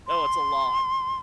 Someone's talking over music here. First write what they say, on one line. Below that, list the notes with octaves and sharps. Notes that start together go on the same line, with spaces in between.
Oh, it's a lot.
C6